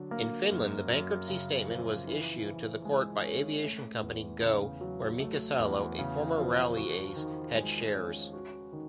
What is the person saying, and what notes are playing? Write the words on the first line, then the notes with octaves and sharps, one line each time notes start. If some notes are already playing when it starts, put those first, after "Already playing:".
In Finland the bankruptcy statement was issued to the court by aviation company Go! where Mika Salo, a former rally ace, had shares.
Already playing: D3 F#3 D4
A#3
F#2
F#2
C#3
F3
E3
E3
G#3
C#4
A3
E2
C#3
F#3
A3
E2
C#3
F3
F#4
D#3
G#3
C#4
F#4
D#3